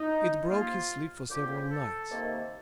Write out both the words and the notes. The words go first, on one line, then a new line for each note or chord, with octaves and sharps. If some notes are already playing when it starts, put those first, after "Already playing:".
It broke his sleep for several nights.
Already playing: D#4
C3 F3 A#3 F4
D3 F3 A#3 G4
A4
C3 D#3 A#3